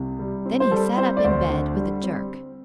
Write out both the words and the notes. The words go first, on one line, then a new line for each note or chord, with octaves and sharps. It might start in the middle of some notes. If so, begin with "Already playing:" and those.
Then he sat up in bed with a jerk.
Already playing: C2 C3
G3
C4
C5
G3 A4
C4 C5
D5
D2 C5
D3
G3
C4